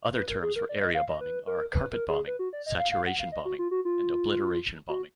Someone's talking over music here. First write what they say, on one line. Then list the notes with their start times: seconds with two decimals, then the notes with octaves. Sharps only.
Other terms for area bombing are "carpet bombing", "saturation bombing", and "obliteration bombing".
0.16 B4
0.29 A#4
0.43 G#4
0.56 A#4
0.69 D5
0.81 D#5
0.95 F5
1.09 D#5
1.21 B4
1.47 A#4
1.75 B4
1.92 A#4
2.09 G#4
2.27 B4
2.39 F#4
2.53 D5
2.66 D#5
2.79 F5
2.92 F5
3.06 F#5
3.19 F5
3.32 D#5
3.45 F#4
3.59 F4
3.71 F#4
3.85 F4
4.89 F#4